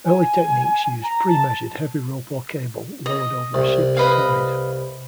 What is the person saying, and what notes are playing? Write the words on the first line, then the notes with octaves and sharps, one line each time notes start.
Early techniques used pre-measured heavy rope or cable lowered over a ship's side.
G#5
A#5
A5
D#5
C2
B4 D#5 F5